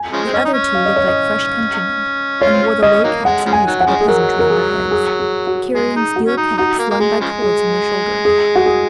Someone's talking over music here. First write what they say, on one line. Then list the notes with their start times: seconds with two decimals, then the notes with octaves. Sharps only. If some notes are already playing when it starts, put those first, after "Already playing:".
The other two looked like fresh countrymen, and wore the low caps in use by the peasantry on their heads, carrying steel caps slung by cords from their shoulder.
Already playing: G#5
0.13 C#3 F3 G#3
0.26 C4
0.34 C#4 D#5
0.45 D#4
0.54 C#4
0.74 F5
0.85 D#5
0.96 C#5
1.07 D#5
2.41 F4 C#5
2.53 C4
2.62 C#4
2.83 C#4 D#5
3.04 D#3 F#3 A#3
3.25 G#3 F#5
3.46 C#3 F3 G#3
3.53 G#5
3.67 D#3 F#3
3.80 F#5
3.87 C#3 F3 G#3
4.01 G#4
4.08 F#3 A#4
4.39 A#4
4.50 G#4
4.91 G#4
5.19 G#4
5.47 F#4
5.75 G#3 G#4
5.96 D#4
6.16 F#4
6.27 C#4
6.37 D#4
6.58 D#4 F#4
6.79 A#3
6.90 A#3
7.00 G#3 G#4
7.21 C#3 F3 G#3
7.42 G#4
8.25 G#4
8.56 F#4
8.66 G#4